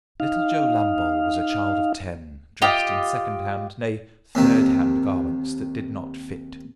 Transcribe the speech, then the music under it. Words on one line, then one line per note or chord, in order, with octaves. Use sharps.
Little Joe Lambole was a child of ten, dressed in second-hand, nay, third-hand garments that did not fit.
D#4 F5
F4 G4 D#5
D#2 C3 D#3